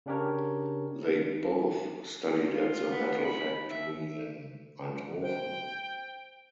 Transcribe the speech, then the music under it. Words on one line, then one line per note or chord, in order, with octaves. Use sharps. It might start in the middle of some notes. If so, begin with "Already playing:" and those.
They both studied at the Metal Factory in Eindhoven.
C#3 C#4 D4 G4 A#4 C#5
F4
B3
B5
E5
C5 G5